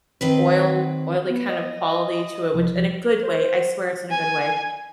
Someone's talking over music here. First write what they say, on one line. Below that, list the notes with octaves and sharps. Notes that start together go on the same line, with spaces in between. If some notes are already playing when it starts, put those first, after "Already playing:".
oil oily kind of quality to it, which in a good way, I swear it's in a good way.
D#3 C4 B4
B3
D#5
C2 F3
C5
G#5